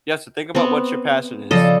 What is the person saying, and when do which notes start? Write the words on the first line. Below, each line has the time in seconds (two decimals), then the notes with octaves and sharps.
you have to think about what your passion is,
0.55 B3 C4
1.51 C#3 F3 A4 D5 D#5